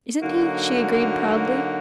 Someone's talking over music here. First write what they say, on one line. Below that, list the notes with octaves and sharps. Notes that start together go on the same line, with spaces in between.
"Isn't he?" she agreed proudly.
D3 F#3 A#3 D#4 F#4